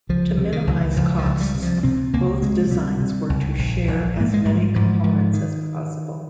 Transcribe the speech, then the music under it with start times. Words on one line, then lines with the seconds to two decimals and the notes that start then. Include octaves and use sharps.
To minimise costs, both designs were to share as many components as possible.
0.09 C#2 F3
0.38 C3
0.52 D#3
0.67 C#2
0.96 C#2 F3
1.18 F3
1.26 C#2
1.40 G3
1.55 C3
1.62 F3
1.83 C3 C4
2.13 C#2 A#3
2.42 C3 G#3
2.71 C3 G3
3.00 C3
3.30 C#2
3.59 A#1
3.88 A#1
4.16 G#2 A#3
4.34 G#3
4.45 G#2 G3
4.75 G#2 F3
5.04 G#2 F3
5.34 D#3